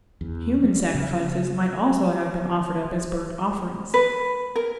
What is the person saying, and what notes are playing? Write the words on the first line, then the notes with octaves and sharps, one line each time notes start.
Human sacrifices might also have been offered up as burnt offerings.
E2
G3
C#3
B4
A#4